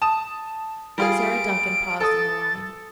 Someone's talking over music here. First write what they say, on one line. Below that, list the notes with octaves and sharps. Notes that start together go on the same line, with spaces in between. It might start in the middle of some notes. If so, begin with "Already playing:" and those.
Sarah Duncan paused on the line.
A5 D#6 E7
G3 F4 G#4 D7
A4 D#6 A6